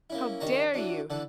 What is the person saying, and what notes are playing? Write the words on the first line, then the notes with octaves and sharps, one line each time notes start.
How dare you?
A#3 C#4 E4
G2 D#3 C#4 A5 A#5
E3 F#3 D4
D3 E3 A4